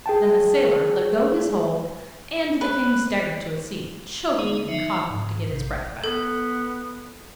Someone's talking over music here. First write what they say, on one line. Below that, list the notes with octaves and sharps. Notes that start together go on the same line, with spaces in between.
Then the sailor let go his hold and the King staggered to a seat, choking and coughing to get his breath back.
G#4 G5 A5
B4
G#3 A#3 B3 D#4 G#4
F3 F#3 D#4 E5
G#2
A#1 C3
B3 A4